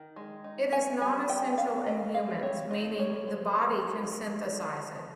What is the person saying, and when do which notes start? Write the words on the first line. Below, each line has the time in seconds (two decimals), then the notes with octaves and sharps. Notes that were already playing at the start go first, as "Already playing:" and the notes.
It is non-essential in humans, meaning the body can synthesize it.
Already playing: D#3
0.16 G#3
0.44 D#4
0.72 C#4 G#5
1.01 G3 G#5
1.29 G3 G5
1.53 G5
1.57 C#4 F5
1.87 C#4 D#5
2.14 G3 F5
2.43 C4 C#5
2.71 D#4 D#5
2.99 G3 C#5
3.28 G3 C5
3.56 C4
3.84 D#4
4.12 A#3
4.41 D#4
4.69 F3
4.97 F3